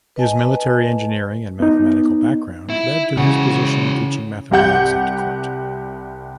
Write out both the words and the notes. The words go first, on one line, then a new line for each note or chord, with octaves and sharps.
His military engineering and mathematical background led to his position teaching mathematics at court.
B4 D#5 G#5 A5
B3 D#4
E4
C#3 E3 F#4
C2 G4 F#5 G6